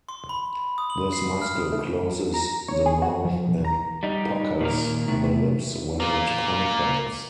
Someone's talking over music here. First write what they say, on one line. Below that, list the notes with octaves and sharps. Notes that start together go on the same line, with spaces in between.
This muscle closes the mouth and puckers the lips when it contracts.
C6
B5
D#6
F#7
C7
F6
A3
F#2
A#5
C#5
G#4
F#4
F3
B1
A#5
G3 D#4
A#2 D#3 A#4
C3 A3
A#3 F4